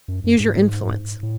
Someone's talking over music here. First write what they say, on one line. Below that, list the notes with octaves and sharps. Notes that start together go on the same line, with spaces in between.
Use your influence.
F#2
F#2
G#2
A2